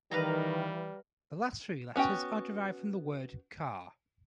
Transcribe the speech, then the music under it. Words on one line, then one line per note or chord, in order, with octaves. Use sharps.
The last three letters are derived from the word "car".
D#3 E3 G3 B4 F5 A#5
B3 C#4 F#4 G5